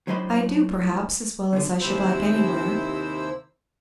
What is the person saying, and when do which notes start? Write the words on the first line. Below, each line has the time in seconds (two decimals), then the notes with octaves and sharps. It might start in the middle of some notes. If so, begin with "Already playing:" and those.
I do, perhaps, as well as I should like anywhere.
0.07 A2 F#3 D4 C5 D#5 B5
1.53 E2 D3
1.81 D#2 C3 C4 E4 C5 E6